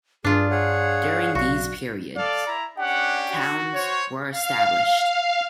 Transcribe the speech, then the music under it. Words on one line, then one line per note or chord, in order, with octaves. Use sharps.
During these period, towns were established.
G2 D4 F4 G#4
G#4 C#5 F5 F#5
B1 F#4
A4 D5 F5
E4 A#5
C#4 D4 G4 F#5
F#4
C5 C#5
F5